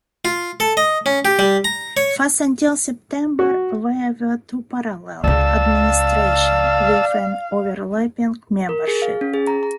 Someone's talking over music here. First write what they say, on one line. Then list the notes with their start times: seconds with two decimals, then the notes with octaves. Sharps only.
Thus, until September there were two parallel administrations, with an overlapping membership.
0.25 F4
0.60 A4
0.77 D#5
1.06 C#4
1.25 G4
1.39 G3
1.64 A#5
1.97 C#5
3.39 F#4
5.24 C#2 C#3 D5 F5 A5 E6
8.69 A#4
8.87 G#4
9.02 F5
9.21 C#4
9.34 G#4
9.47 A#5
9.63 A#5